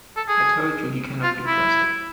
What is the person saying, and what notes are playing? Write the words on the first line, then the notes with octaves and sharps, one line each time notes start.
I told you he cannot be trusted.
A4
G#4
F4
E4